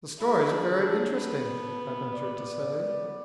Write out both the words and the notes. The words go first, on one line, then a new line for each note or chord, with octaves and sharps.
"The stories are very interesting," I ventured to say.
E4 G#4
D4
D4
B3
A4
B4
D5
B3